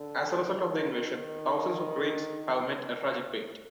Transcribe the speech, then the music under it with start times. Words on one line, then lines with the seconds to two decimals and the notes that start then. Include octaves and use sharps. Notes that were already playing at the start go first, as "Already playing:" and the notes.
As a result of the invasion, thousands of Greeks have met a tragic fate.
Already playing: D3
0.48 D#3
1.10 D#3